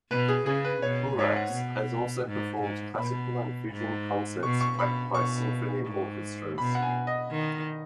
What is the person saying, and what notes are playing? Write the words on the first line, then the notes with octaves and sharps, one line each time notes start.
Koorax has also performed classical and fusion concerts backed by Symphony Orchestras.
B2 B4
G#4
C#3 G#4
B4
B2 C#5
G#2 C#5
F#5
B2
G#2
G#2
B2 B5
G#2
B2 C#6
C#6
B2 B5
B2 C#6
G#2
B2 B5
F#5
G#5
D#5
D#3